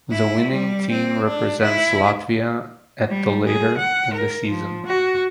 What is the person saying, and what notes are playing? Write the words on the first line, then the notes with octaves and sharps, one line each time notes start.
The winning team represents Latvia at the later in the season.
E4
G3
C4
D4
E4
G3
G#4
F#5
A#4
F3
F#4